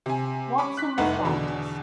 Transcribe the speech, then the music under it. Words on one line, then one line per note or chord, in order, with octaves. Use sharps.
Watson was Baptist.
C3 G#5
C#4 B5 C#6 D6
F#6 B6
F1 C2 A3 D#4 B4 F#5
E2 B2 D3